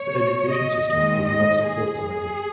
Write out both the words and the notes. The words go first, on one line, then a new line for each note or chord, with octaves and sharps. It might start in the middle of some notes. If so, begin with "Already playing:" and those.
The education system does not support the language.
Already playing: C#5
D#5
D#2 D#3 G#3 D#5
D#5
G#4
G#4